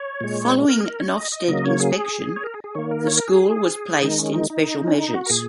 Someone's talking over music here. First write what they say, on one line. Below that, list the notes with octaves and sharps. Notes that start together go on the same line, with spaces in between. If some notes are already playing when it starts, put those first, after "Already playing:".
Following an Ofsted inspection, the school was placed in "special measures".
Already playing: C#5
A#2 G#3
A#4
G#4
A#4
C#5
D#5
D#5
C#3 F#3 A#3 D#5
C#5
G#4
C#5
A#4
G#4
G#4
D#3 A#3 C#5
A#4
C#5
A#4
G#4
D#3 G#3 D#4
C#4
D#4
D#4
C#4
D#4
F#4
A#4
A#2 G#4